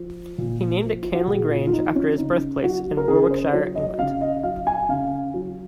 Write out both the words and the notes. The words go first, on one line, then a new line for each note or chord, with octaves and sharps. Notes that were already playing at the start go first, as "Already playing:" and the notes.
He named it Canley Grange after his birthplace in Warwickshire, England.
Already playing: F3
A#2
F3
F4
F#4
A#2 G#4
F4
F4
F3 D#4
C#4
C#3 D#4
F#3 F#4
A#4
C#3 G#4
C5
F#3 C#5
D#5
C#3 F5
D#5
F#3 F5
G#5
C#3 F5
F#3